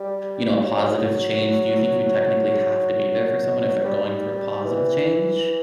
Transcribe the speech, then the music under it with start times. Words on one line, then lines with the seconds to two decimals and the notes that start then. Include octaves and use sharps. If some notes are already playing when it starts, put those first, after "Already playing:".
you know, a positive change. Do you think you technically have to be there for someone if they're going through a positive change?
Already playing: G3
0.64 F#3
3.84 G3
4.65 E3